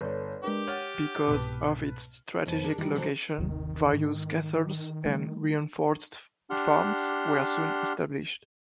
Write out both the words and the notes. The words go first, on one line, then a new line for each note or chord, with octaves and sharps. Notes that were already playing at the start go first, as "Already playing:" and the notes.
Because of its strategic location, various castles and reinforced farms were soon established.
G1 A4 B4 C#5 D5
G#3 D4 G4 A#4 B4
C#5 F#5 F6 A6 D#7
C2 G#2 B2 B4 A5
F2 B2 B4
D4 G#4 A#4 F#5
A#2 D#3 F#3 G3 A#4
B2 D3 F#3 F#4 C5
G1 D#2 C3 D#3
G#2
G3 A3
D4 G4 F#5 C6 F6